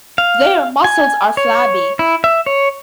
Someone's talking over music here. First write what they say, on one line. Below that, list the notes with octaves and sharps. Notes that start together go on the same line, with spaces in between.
Their muscles are flabby.
F5
G#5
C#5
E4
E5
C#5